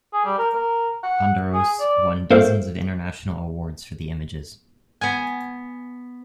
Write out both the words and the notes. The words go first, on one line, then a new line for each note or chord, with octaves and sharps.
Hondros won dozens of international awards for the images.
G#4
G3
A#4
A#4
F#5
G#4
D5
A3 A#3 C4 F4
B3 G#5